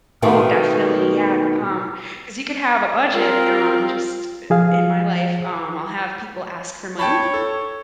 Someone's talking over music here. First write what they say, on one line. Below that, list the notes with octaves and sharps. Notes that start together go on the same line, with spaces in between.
Oh, definitely, yeah, can um 'cause you could have a budget, um, and just uh, in my life um, I'll have people ask for money,
B2 D#3 A3 C4
C4 F4 A#4
F3 G#4 F5
C#5 G5 A5 B5
A4